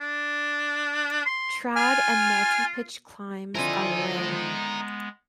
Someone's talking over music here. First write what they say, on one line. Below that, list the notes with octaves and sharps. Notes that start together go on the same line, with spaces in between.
Trad and multipitch climbs are rare.
D4
C6
F4 G#5 F6
D3 F3 C4 E4 F4 A#4 D#5 G#5
G#3 B3